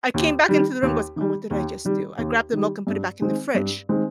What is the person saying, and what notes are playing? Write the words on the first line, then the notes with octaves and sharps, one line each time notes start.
I came back into the room, goes, "Oh, what did I just do?" I grabbed the milk and put it back in the fridge.
D#2
D#3 G3
D#2
D#3 G3
D#2
D#3 G3
D#2
D#3 G3
G2
D#3 G#3 C4
G2
D#3 G#3 C4